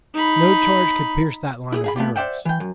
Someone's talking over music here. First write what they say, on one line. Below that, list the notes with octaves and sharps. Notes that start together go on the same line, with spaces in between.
No charge could pierce that line of heroes.
D#4 B5
E4 G4 G#4
G#4 F5 B5
A3 B3 F4 G4
C5 D5 E5 F#5 G5
E3 G5
F#2